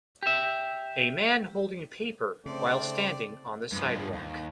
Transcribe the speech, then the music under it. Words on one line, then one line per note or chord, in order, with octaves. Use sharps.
A man holding paper while standing on the sidewalk.
G4 E5
D#2 C#3 A3 C4 C5 D5 G5
G2 F3
D#2